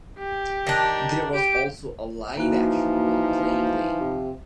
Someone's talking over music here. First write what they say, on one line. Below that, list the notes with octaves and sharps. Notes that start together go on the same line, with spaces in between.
There was also a live action role-playing game.
G4
D#3 D4
G4 D7
E3 F3 A#3 D#4 F#4
C3